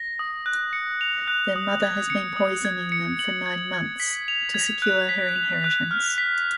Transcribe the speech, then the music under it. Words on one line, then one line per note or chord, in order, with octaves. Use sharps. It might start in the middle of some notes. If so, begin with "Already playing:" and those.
Their mother has been poisoning them for nine months to secure her inheritance.
Already playing: A#6
D#6
F#6
C#7
F7
F#6
D#6
G#6
C#7
D#6
G#6
C#7
F#7
G#6
G#6
B6
F7
G#6
F#6
B6
F7
F#6
F6
B6